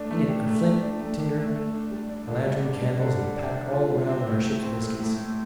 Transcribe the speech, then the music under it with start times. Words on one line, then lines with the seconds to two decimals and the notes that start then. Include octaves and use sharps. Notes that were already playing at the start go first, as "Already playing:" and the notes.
In it are flint, tinder, a lantern, candles, and packed all around them are ship's biscuits.
Already playing: A3 D4
0.10 A3
0.29 G4
0.46 A3
0.65 A3
0.83 D4
1.01 A3
1.19 D4
1.38 A3
1.55 A3
1.73 D4
1.91 G3
2.09 D4
2.28 D3
2.46 G3
2.64 D4
2.82 G3
3.00 D3
3.18 G3
3.36 D4
3.55 D4
3.73 F4
3.91 G3
4.09 C4
4.27 A2
4.45 A3
4.63 C4
4.81 A2
5.00 A2
5.17 A2